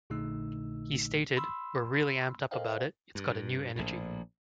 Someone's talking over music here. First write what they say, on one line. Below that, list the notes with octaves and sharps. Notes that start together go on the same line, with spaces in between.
He stated, We're really amped-up about it, it's got a new energy.
A#1 A#2 D3 A3 D#4 E6
B5 C6 E6
A4 A#4 C5 D#5 F5 G5
G2
A#1 A2